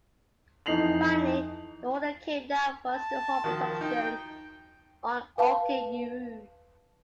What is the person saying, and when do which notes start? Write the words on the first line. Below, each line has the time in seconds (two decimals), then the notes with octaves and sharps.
Finally the order came down for us to halt production on "Aoki Uru".
0.66 F2 E3 D#4 C7 F7 F#7
2.90 A5
3.44 D#3 F3 F#4
3.81 D#4 G5
5.38 B4 F5 A5